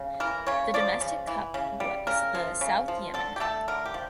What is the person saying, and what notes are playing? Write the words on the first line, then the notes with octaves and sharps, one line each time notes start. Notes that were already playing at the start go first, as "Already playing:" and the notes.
The domestic cup was the South Yemen Cup.
Already playing: C#3
E3 A#4
C#3 C#5
F3 D5
C#3
E3
C#3
G3
C#3 A#4
F3
C#3
F3
D3 A4
G4
A3 A4
D3 A#4
G4
F3